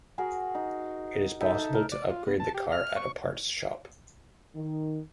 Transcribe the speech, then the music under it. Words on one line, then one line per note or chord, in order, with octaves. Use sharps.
It is possible to upgrade the car at a Parts Shop.
F#4 G#4 A#4
D#4
D#4 A4 E5 A5
A#4
D5
F4
B3
A5
G4
F6
C#6
D#3